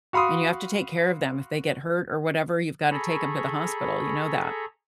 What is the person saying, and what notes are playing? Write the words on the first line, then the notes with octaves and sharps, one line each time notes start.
and you have to take care of them. If they get hurt or whatever, you've gotta take 'em to the hospital, you know that?
F#4 F5 B5 C6 D#6
G#4 A4 A#5 B5 C#6